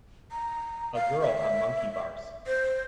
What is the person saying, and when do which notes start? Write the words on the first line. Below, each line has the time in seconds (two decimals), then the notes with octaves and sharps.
A girl on monkey bars.
0.32 A#5
0.94 F5
1.21 E5
2.47 C5